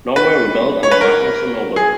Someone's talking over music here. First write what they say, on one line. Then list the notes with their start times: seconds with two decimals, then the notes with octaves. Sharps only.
Norway rebelled under Magnus the Noble.
0.16 B4
0.83 C#5
0.91 B4
1.01 A#4
1.76 G#4